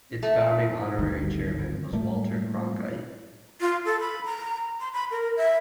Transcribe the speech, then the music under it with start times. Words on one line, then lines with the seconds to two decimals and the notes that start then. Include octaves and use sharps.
Its founding honorary chairman was Walter Cronkite.
0.23 A3
0.99 G#1 D2 G2 D#3
1.93 A2 G3 A3 A#3
3.61 F4
3.85 A4
4.00 B5
4.25 A#5
4.80 C6
4.93 B5
5.11 A#4
5.37 E5